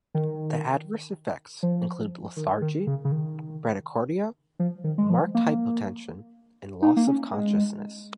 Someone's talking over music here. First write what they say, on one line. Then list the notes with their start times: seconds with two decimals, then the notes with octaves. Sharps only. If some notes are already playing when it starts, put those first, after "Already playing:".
The adverse effects include lethargy, bradycardia, marked hypotension and loss of consciousness.
0.14 D#3
1.63 F3
2.37 D#3
2.61 D#3
2.87 C#3
3.05 C#3
3.12 D#3
4.59 F3
4.84 D#3
4.98 G#3
5.10 F3
5.35 A#3
6.82 D#4
6.97 A#3
7.07 C#4
7.33 G#3